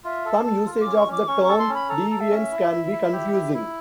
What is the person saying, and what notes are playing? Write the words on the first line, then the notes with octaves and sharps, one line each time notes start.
Some usage of the term "deviance" can be confusing.
F4 E5
A4
A5
A4
F4
D6
C#4
C#6
C#4 D6
C#4 C#6
A4 C#6
C6
C#4
B5
A4 A#5
A4
E5
C#4
E4
E4
E4
G4
E4
E4